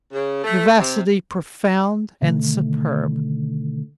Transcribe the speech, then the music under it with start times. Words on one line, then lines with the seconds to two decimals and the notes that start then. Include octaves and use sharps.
Vivacity profound and superb!
0.12 C#3
0.44 A3
0.78 C3
2.22 B2 D3 D#3 A3